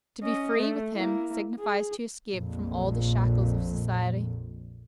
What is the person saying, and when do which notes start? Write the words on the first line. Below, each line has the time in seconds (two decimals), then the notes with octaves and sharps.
To be free, with him, signifies to escape from all the shackles of society.
0.23 C#4 D#5
0.59 A3
0.93 A#3 E4
1.59 G#4
2.35 A#1 F2 A#2